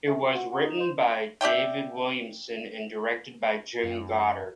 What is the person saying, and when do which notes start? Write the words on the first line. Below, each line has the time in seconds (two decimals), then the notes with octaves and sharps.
It was written by David Williamson and directed by Jim Goddard.
0.06 A3
0.21 F#3
0.34 F#4
0.51 F#4
0.64 D#4
0.80 C5
1.41 G4 D5 E5 G5
3.83 F#2